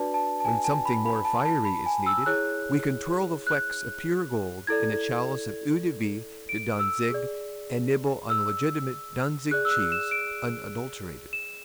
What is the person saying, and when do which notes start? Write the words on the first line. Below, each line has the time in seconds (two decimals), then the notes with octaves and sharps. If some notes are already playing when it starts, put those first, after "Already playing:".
When something more fiery is needed we can twirl the flecks of pure gold in a chalice of Eau de Vie de Danzig and nibble on legitimate Danzig cheese unadulterated.
Already playing: D4 F#4 B4 D5 A5
0.14 A5
0.40 A5
0.45 G#5
0.64 A5
0.86 B5
1.06 B5
1.25 A5
1.45 A5
1.65 B5
1.86 G#5
2.06 E6
2.26 E4 G#4 C#5 F#6
3.47 F#6
4.67 E4 A4 D5 G#6
6.49 D7
6.79 E6
7.10 G#4 D5
8.30 E6
9.51 G#4 D5 F#6
9.65 E6
9.71 F#6
9.92 E7
10.11 D7
11.33 E7